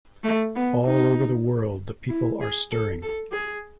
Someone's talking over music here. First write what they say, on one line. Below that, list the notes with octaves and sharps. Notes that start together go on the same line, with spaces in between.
All over the world the people are stirring.
A3
B3
D#4
E4
G#4
A4
A4
G#4